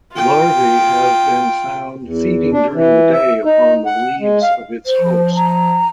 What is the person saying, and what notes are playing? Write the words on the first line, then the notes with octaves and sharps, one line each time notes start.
Larvae have been found feeding during the day upon the leaves of its host.
F4 G5
E2
D4
E3
E5
D#4
F#5
G#3
F5
C5
F3
A#5